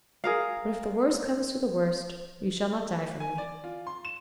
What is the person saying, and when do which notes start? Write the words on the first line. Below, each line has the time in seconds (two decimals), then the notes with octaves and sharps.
But if the worst comes to the worst, you shall not die for me.
0.24 G#4 A#4 F5
3.20 G#5
3.38 D5
3.64 F4
3.87 C6
4.05 E7